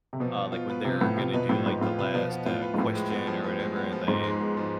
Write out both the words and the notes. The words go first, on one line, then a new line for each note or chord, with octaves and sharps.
Uh, like, when they're gonna do, like, the last, uh, question or whatever, and they,
C3
B2 F3
B3
F4
B4
C3 F3
A2 B3
C3 F4
B2 B4
A2 F3
G#2 B3
A2 F4
C3 B4
B2 F3
B3
A2 F4
B4
G#2
A2 F3
G#3
B3
F3
F3
G#3
B3
F3
G#2 F3
G#3
B3
F3